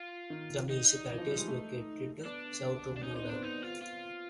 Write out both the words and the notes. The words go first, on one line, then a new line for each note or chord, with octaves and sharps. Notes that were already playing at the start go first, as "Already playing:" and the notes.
The municipality is located south of Moudon.
Already playing: F4
D#3
D#4
E3
F3
G3
G#3
A3
B3 D4
D4
C#4 D#4
C4
D#4
B3
C4 D4
D#4
F4
F4